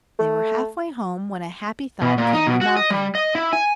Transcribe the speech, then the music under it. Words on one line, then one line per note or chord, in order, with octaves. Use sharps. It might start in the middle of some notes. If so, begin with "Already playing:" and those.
They were half-way home when a happy thought came to Malcolm.
A3
B2
A#2
D#4
B2
F#4
D#5
G3
D#5
E4
G#5